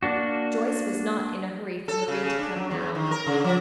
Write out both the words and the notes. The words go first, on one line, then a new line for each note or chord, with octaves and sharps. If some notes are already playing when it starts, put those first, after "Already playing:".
Joyce was not in a hurry for Marie to come now.
A#3 D4 F#4
A4
C#3
C#3
D4
F#3
E2
D#3
A#4
C#3
F3